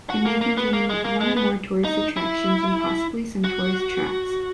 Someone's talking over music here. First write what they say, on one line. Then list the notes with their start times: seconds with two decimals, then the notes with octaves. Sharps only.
It may contain one or more tourist attractions and possibly some tourist traps.
0.10 F#4
0.25 A#3
0.41 A#3
0.57 B3
0.73 A#3
0.89 G#3
1.05 A#3
1.21 G#3
1.37 B3
1.84 D#4
2.17 E4
3.44 F#4